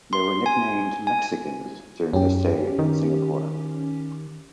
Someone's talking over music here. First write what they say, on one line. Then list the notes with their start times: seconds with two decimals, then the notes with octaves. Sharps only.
They were nicknamed "Mexicans" during their stay in Singapore.
0.13 C6
0.46 G#5
1.07 G#5
2.13 F#2 C#4 G4
2.79 D#3